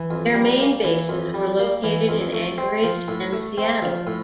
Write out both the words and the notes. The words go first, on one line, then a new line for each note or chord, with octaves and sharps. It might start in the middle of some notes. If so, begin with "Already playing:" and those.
Their main bases were located in Anchorage and Seattle.
Already playing: E3
F2
G3
A#3
E3
F2
G3
A#3
E3
F2
A3
C4
F3
A2
A3
C4
F3
A2